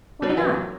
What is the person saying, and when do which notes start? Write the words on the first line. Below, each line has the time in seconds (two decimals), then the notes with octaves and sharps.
Why not?
0.22 G3 B3 F#4 A#4 C#5
0.29 F#3
0.37 E3
0.44 F#3